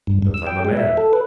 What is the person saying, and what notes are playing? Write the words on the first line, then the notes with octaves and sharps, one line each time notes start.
Knows I'm a man.
G2
G2
E6
G5
G#3
E5
A4
B4